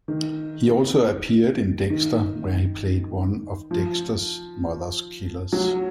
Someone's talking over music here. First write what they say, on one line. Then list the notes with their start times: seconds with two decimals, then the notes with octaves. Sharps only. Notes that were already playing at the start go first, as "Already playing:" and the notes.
He also appeared in "Dexter" where he played one of Dexter's mother's killers.
0.08 D#3
1.90 D#3
3.71 F3
5.53 F#3